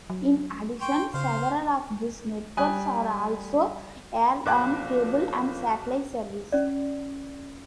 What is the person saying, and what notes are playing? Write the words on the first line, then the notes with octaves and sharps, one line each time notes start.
In addition, several of these networks are also aired on cable and satellite services.
F#3
G5 C6 C#6
C#3 C5 F5
G3 G#5 D#6 F#6
B1 A#2 F3 A#3 D6 F#6
C#4 D5